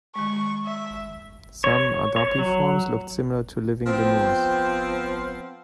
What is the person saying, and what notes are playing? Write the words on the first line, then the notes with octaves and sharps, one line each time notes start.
Some adapiforms looked similar to living lemurs.
D#3 G#3 C#6
E5
C#5
C#5
F#3
F3 B3 C4